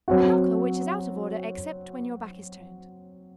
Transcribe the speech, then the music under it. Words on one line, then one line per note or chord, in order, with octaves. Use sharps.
A knocker which is out of order except when your back is turned.
F#3 C4 F#4